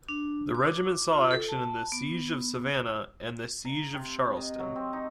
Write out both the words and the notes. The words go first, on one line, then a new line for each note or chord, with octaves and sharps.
The regiment saw action at the Siege of Savannah and the Siege of Charleston.
D4
D6
F4
A4
A5
B3
A#5
C3
D#5
F#3
C4
D#4